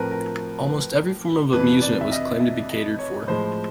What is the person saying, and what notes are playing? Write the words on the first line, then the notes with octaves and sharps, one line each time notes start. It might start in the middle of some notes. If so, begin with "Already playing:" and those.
Almost every form of amusement was claimed to be catered for.
Already playing: A2 F3 A3 C4 A#4 B4
A#4
B4
F2 C3 E3 B4
D5
E5
D#5
E5
D#5
C#5
A2 F3 G#3 C5